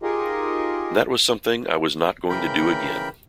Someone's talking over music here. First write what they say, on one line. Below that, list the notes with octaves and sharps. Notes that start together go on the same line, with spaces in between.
That was something I was not going to do again.
D#4 F4 G4 G#4 A#4 D#5
C#3 E3 A#4 G5 B5 G6